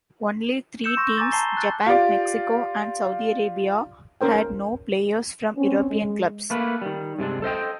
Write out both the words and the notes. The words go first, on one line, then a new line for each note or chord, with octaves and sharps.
Only three teams, Japan, Mexico, and Saudi Arabia, had no players from European clubs.
E6 G6 C#7 E7
C6 C#6 A#6
G#5 A#5 D6 A6
A5 A#5 C6 C7 G7
F#6 A6
F4 G4 D5
C#4 A#4 C5 G5
C4 C#4
G#3
A3 A#3 B4
D#3 G3
G2 C3 G#3 D4
A4 C5 D#5 G5